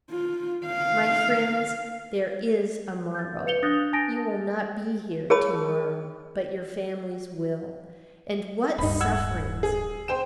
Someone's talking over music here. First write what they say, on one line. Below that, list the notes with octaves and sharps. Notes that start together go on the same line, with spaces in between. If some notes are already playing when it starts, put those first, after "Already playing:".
My friends, there is a morrow; you will not be here to-morrow, but your families will; and what sufferings!
F4
F5
G6 A6
B4 F5 C#7 F7 G7
D4 D#6 F#6 G6 A6 A#6
G#5 A5 D#6 A6 A#6 D7
G#4 A#4 C#5 A5 B5 D#6
D1 G2 D#4 B5
F#5 E6 G#6
G#4
C5 G5 E7